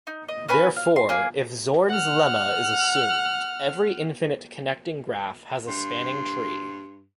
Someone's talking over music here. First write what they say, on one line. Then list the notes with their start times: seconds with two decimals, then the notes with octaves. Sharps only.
Therefore, if Zorn's lemma is assumed, every infinite connected graph has a spanning tree.
0.07 D#4
0.28 D#5
0.48 C#4 B4 G#5 B5
0.76 F5
0.96 C6
1.09 A#3 G#4
1.89 F#5 F6
5.68 G2 C6